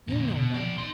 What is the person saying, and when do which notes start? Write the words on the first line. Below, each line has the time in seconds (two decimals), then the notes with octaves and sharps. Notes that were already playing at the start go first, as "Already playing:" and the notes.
"You know them."
0.08 A#2 D3
0.34 B2
0.54 F3 D5
0.78 D#4 C6